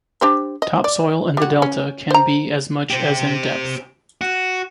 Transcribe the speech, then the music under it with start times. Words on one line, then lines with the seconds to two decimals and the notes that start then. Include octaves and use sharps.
Topsoil in the delta can be as much as in depth.
0.21 D4 G4 C5
0.62 D#5
0.84 D5
1.37 G3 F#4
1.62 C#4
2.11 C5 A#5
2.90 C4 G4
4.21 F#4